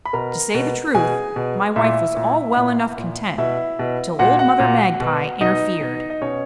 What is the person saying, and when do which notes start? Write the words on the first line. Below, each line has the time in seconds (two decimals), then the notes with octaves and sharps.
To say the truth, my wife was all well enough content till old Mother Magpie interfered.
0.05 B5
0.13 B2 A#4 A#5
0.54 B2
0.95 B2 G#4 G#5
1.36 B2
1.76 A#2 E4 E5
2.16 A#2
2.56 A#2
2.97 A#2
3.38 B2 E4 E5
3.79 B2
4.19 A#2 F#4 F#5
4.39 F#4 F#5
4.59 A#2
5.00 B2
5.41 B2 D#4 D#5
5.81 B2
6.10 D#5
6.21 B2 C#4 C#5